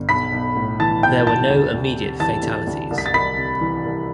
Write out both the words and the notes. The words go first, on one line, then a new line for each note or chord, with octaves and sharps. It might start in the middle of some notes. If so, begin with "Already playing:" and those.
There were no immediate fatalities.
Already playing: G1
B1 B5 B6
B1
A2
E3 A5 A6
B1 G5 G6
B1 A5 A6
D2
D2
C3
E3 A5 A6
D2
D2
C2
B6
A6
C2 B5 B6
C3
E3
C2